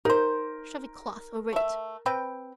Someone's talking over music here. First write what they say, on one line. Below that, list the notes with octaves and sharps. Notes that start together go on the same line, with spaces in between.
Shove a cloth over it!
D#4 A#4 C5
A3 E5
C4 B4 G5